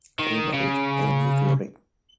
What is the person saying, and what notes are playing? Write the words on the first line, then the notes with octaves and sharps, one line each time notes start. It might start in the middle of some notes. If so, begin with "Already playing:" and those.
He married Angie Furey.
D#3
C#3